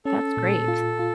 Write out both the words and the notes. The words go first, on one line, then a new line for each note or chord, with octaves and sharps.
That's great.
C#4 A4
A#2
F4
F4